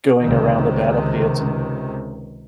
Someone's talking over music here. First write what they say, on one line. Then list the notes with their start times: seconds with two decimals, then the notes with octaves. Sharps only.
going around the battlefields, and
0.21 C#2 C3 D#3